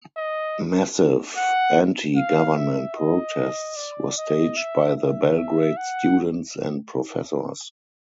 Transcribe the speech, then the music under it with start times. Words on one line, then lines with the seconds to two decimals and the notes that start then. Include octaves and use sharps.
Massive anti-government protests were staged by the Belgrade students and professors.
0.17 D#5
1.37 F#5
2.16 F5
2.57 E5
2.97 D#5
3.76 D5
4.18 D#5
4.56 E5
4.97 E5
5.77 F#5